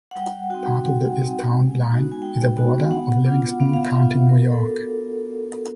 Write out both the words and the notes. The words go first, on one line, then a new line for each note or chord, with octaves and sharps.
Part of the east town line is the border of Livingston County, New York.
F#5
G3 G5
C4 D#4 F#4 G5
G3 G#5
C4 D#4 F#4
G#3
B3 D#4 F#4
G#5
G#3 G5
B3 D#4 F#4
B3 F#5
D4 F4
B3 F5
F5
E5
D4 F4
B3 A#4
A4
D4 F#4